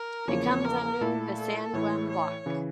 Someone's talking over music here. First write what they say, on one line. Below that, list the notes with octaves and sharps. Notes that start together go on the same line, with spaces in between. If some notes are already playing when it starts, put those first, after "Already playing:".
It comes under the Sanguem block.
Already playing: A#4
E2 C#3 F3 A#3 E4 C#5
A#4
A#2 A3 E4 A4
A4
A2 E3 A3 E4 C#5
C#5
C#3 E3